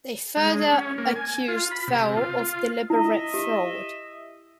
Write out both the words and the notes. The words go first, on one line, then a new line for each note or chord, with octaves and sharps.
They further accused Fell of deliberate fraud.
G#3
C#4
A#3
G#5
F4
B5
C3
F4
E4 D#5 E5
G4